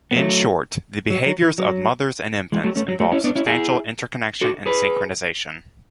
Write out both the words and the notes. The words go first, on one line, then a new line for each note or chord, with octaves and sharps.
In short, the behaviors of mothers and infants involve substantial interconnection and synchronization.
B3
F#3 A3
F#3
F#3
E3
F#3
E3 G#3
F#3 A3
A3 C#4
F#3
F#3 A3
C#4 E4
B3 D4
C#4 E4
E4 G#4
F#4 A4
G#4 B4